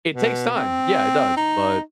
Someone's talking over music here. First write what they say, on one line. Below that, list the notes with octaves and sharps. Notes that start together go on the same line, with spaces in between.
it takes time. Yeah, it does. But,
B2
C4
D#4